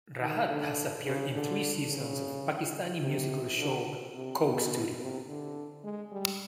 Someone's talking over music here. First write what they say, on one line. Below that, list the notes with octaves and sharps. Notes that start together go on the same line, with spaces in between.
Rahat has appeared in three seasons of Pakistani musical show "Coke Studio".
D#3
D3
C#3
D3
C#3
C3
D3
C3
B2
C3
D3
G#3
G3